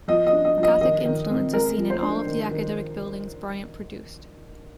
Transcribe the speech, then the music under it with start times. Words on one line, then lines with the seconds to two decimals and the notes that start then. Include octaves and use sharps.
Gothic influence is seen in all of the academic buildings Bryant produced.
0.08 F3 D#5
0.26 D#5
0.32 D4
0.45 D#5
0.57 F3
0.63 D#5
0.81 D#3 D#5
1.05 D#3
1.30 C4
1.53 G#3 A#4
1.78 F3
1.90 C5
2.02 D4
2.26 D#3
2.51 D#3